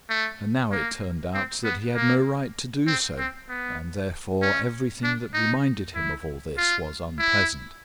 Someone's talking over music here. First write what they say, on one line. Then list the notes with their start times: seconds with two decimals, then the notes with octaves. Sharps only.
And now it turned out that he had no right to do so, and therefore everything that reminded him of all this was unpleasant.
0.10 A3
0.72 A#3
1.34 C4
1.64 B3
1.95 A#3
2.87 C4
3.18 C4
3.49 B3
4.42 C#4
5.03 D4
5.33 D#4
5.95 E4
6.57 F4
7.18 E4